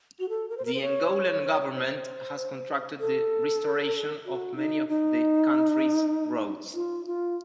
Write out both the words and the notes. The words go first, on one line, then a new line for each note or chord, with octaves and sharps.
The Angolan government has contracted the restoration of many of the country's roads.
F#4
A4
A#4
C5
A#4
C5
C#5
C5
A4
F#4
D#4
D#4
F4
F4